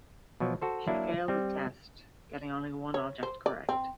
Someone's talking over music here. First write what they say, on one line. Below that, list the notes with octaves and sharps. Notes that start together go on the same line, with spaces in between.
She failed the test getting only one object correct.
B2 F3 F#3
F#4 A4 C5
F#3 A#3 D4 E4
G3 C4
C#5
C5
D5
C4